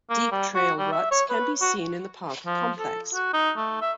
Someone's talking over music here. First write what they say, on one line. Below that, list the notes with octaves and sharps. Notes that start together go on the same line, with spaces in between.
Deep trail ruts can be seen in the park complex.
A#3
G3
F#4
G3
E5
C#5
B4
F#4
F3
A4
F#4
D#4
A3
E5